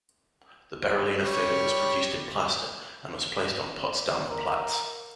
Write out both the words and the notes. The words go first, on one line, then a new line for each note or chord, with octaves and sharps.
The Berolina figure was produced in plaster and was placed on Potsdamer Platz.
G3 C#5
D5
A#4